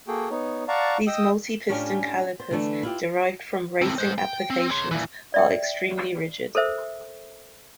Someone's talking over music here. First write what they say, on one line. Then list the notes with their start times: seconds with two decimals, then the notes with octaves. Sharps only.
These multi-piston calipers derived from racing applications, are extremely rigid.
0.08 A#3 F#4 G#4 A4 G5
0.30 B3 D#4 C#5
0.68 D5 F5 F#5 A5 A#5 C#6
1.07 D#5 G5 D#6 E6
1.69 A2 C#4 D4 F4 G4 G#5
2.40 C5
2.51 D3 E3 A3 D4
2.83 E4 F4 G4
3.82 A2 C4
3.98 G#3 C5
4.18 G5
4.50 C4
4.71 C#5 C6
4.91 A#2 E3
5.34 D5 E5 G5
6.55 A4 A#4 C5 E5